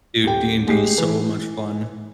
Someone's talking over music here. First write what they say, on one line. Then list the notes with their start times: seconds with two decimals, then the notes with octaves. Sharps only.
Dude, D&D is so much fun.
0.23 D#1 G4 G5
0.67 A1 G#3 G4 C7
0.98 E3